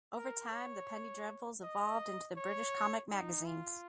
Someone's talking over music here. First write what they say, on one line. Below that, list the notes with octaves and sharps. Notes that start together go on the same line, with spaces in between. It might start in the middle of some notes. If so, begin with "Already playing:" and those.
Over time, the penny dreadfuls evolved into the British comic magazines.
A#4
C#5
D#5
C#5
D#4
F4